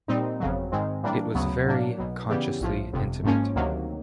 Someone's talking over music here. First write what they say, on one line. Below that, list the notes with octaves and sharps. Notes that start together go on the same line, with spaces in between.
It was very consciously intimate.
A#2 G3 C4 D#4
G1 F2 C#3 F#3
G#2 D#3 G#3 C4
A2 E3 G3 A#3 D4
D2 C#3 F#3 B3
A2 F#3 A#3 D4
B1 B2 F#3
C#3 E3 G3 B3
A#1 A2 F3
G1 F2 C3
G#1 G#2 F3 A#3 C#4
D2 C3 D#3 F#3 A#3